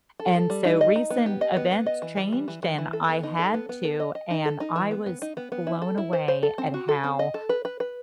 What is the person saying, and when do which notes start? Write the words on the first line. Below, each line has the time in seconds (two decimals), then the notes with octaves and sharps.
And so recent events changed and I had to, and I was blown away at how
0.20 A4
0.35 A4
0.50 G3
0.65 D#4
0.81 D#5
0.96 D#4
1.10 B3
1.26 G4
1.41 D#5
1.57 B3
1.71 B3
1.86 D#5
2.02 E3
2.17 G3
2.33 E3
2.48 E3
2.63 E3
2.78 E3
2.93 A4
3.09 B3
3.23 D#4
3.39 A4
3.54 B3
3.69 B3
3.85 A4
4.00 D#5
4.15 D#5
4.30 D#4
4.45 A4
4.60 D#4
4.76 E3
4.91 B3
5.06 B3
5.22 D#4
5.37 B3
5.52 B3
5.67 E4
5.82 A4
5.98 E4
6.13 C5
6.28 C5
6.43 A4
6.58 C4
6.74 F#4
6.89 A4
7.04 C4
7.19 D#5
7.34 A4
7.49 B4
7.65 B4
7.80 B4